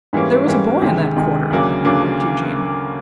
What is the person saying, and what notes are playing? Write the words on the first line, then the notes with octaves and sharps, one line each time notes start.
'There was a boy in that quarter,' remarked Eugene.
G#2 E3 G3 A#3 C#4
G#2 E3 G3 A#3 C#4
D2 C3 D#3 G#3
D2 C3 D#3 G#3
D2 C#3 F#3 A#3 D4
D2 C#3 F#3 A#3 D4